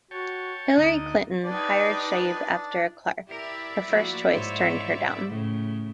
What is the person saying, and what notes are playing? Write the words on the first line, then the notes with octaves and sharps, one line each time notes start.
Hillary Clinton hired Scheib after Clark, her first choice, turned her down.
F#4 C#5 G5 A5
D2 D3 D#4 D#5
D4 D#4 G4 B4 D5
E4 G4 A#4 D5 E5
F3 A#3 F#4
G#2 C5 C#5
A2 C#3